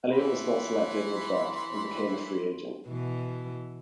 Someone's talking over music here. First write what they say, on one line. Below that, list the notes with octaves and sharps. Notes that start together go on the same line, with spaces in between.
Elliott was not selected in the draft and became a free agent.
E3 B5 C6
B2 E3